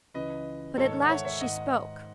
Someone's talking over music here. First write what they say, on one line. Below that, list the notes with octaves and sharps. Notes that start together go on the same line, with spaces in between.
But at last she spoke.
C#2 C#3 E3 B4 D#5
G#2 D#3 A4 C#5
F#5
C#5 E5
C#5 E5
G#2 D#3 D#5 F#5